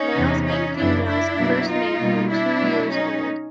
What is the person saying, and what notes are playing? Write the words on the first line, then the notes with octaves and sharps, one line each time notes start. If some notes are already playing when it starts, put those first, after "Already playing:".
Males and females first mate when two years old.
Already playing: C#4 D#4
E2 C3 E3
C#4 D#4
F#2 C#3 F3 D4 E4
D4 E4
B2 F#3 A#3
D#4 F4
B2 G3 A#3
D4 E4
B2 F#3 A3
C#4 D#4